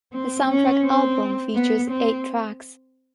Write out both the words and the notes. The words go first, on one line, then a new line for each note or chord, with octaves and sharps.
The soundtrack album features eight tracks.
C4
C#4
C4
B3
C4